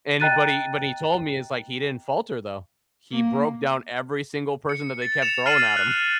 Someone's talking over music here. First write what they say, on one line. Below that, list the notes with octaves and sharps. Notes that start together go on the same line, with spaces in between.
And he but he but he told me it's like he didn't falter though, he broke down every single person that they kept throwing at him.
D#5 G5 A#5 F#6 A6 D#7
A#3
C#7
A6
C#7 E7 F7
F6 A6 C7 D#7 E7 F#7
F#6